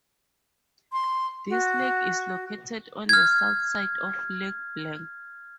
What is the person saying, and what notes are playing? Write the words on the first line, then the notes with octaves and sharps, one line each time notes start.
This lake is located on the south side of Lac Blanc.
C6
F#4
F6 G#6